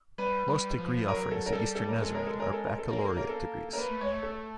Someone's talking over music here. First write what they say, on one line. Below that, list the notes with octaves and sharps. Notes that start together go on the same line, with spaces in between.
Most degree offerings at Eastern Nazarene are baccalaureate degrees.
G3 B4
G3
F3
F#3 A#4
A4
A#4
G3 A4
A4
A#4
G#3 A4
A#4
A4
A#4
A4
A#4
A4
A#3 A#4
A4
A#4
A4
A#4
A#3 B4
A3
G#3 C#5
A3
A4